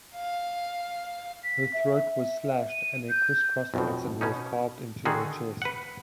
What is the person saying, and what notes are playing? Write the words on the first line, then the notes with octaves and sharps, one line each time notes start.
Her throat was slashed and a criss-cross pattern was carved into her chest.
F5
B6
E5
D#7
G6
B1 F2 B2
B2 C#4 D#4
D3 D#3 F#4 G#4
B4 F#5